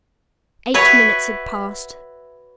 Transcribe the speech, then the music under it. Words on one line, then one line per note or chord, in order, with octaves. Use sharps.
Eight minutes had passed.
F#4 B4 C#5 E5